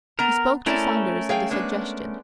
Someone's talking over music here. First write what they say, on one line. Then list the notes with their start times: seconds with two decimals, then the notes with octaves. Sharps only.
He spoke to Saunders of the suggestion.
0.19 B3 A#4 A#5
0.66 A3 C#4 E4 A#4 D5 A5
1.29 G#4 F5 G5
1.51 G#3 B3 D4